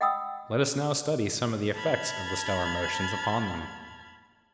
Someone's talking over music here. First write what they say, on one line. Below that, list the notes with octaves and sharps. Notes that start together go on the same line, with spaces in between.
Let us now study some of the effects of the stellar motions upon them.
D#5 F#5 G5 B5 D#6 E6
A5 B5 F6 G#6